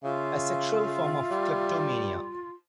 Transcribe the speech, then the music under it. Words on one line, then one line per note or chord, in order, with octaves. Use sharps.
A sexual form of kleptomania.
C#3 F4 E5 F5
G3